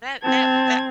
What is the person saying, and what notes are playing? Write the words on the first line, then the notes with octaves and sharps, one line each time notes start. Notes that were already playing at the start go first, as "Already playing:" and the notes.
That that that
C4 A5 G#6